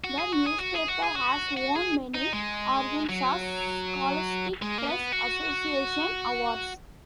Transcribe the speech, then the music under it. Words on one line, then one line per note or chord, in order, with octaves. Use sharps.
The newspaper has won many Arkansas Scholastic Press Association awards.
F#4
G#4
F#4
G#4
F#4
G#4
F#4
G#4
F#4
F#4
G#4
D#4
G#3
F#3
G#3
A#3
B3
F#4